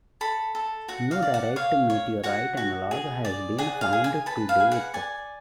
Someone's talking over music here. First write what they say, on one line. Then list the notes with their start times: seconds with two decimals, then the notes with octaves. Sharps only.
No direct meteorite analog has been found to date.
0.21 A4 B5
0.55 A4
0.88 F#4 F#5
1.11 F5
1.22 D5
1.34 F#5
1.56 C#5 F5
1.90 C#5
2.24 F#4 F#5
2.57 F#4
2.91 G#4
3.25 D5
3.58 G#4 F#5
3.81 F5
3.93 G#4
4.04 G#5
4.26 B4 A5
4.49 F5
4.60 G#4
4.72 F#5
4.94 D5 G#5